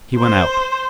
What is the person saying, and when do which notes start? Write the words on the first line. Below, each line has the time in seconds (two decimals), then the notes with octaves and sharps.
He went out.
0.16 C5